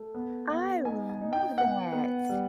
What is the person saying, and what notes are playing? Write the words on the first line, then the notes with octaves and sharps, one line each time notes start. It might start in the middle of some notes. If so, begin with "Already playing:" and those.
I love that.
Already playing: A3
B3
B3
D#4 G#5
G#5
D#4
G5
B3 F#5
B3
G3